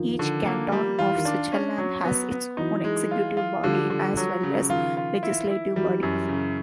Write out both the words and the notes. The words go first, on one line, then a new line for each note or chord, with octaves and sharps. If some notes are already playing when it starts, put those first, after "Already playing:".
Each canton of Switzerland has its own executive body, as well as legislative body.
Already playing: D#3 F3
D3
A#3
G3
E3 F4
D#3
D4
C#4
F#3
B3
B3
E3 F#3 D#4
G#3
F4
F4
D3 F3 G3
D3
F#3
C#3
D#3 F3 F4
F4
E4
E4
E3 F#3 G3
F#2
C#3